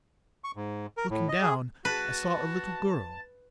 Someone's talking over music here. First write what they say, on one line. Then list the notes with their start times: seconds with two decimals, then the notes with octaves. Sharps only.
Looking down I saw a little girl.
0.44 C#6
0.56 G#2
0.97 A#4
1.10 A2
1.28 D#5
1.42 G#4
1.85 F#4 B4 A5